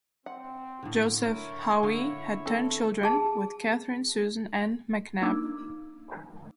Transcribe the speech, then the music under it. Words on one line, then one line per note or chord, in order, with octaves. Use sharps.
Joseph Howe had ten children with Catherine Susan Ann McNab.
C4 F#5
A2 D3
E4 A#4 C#5
D3 D#5 F5
C4 A4
G#4 A5
A#3 D4 D#4 D6 E6 G#6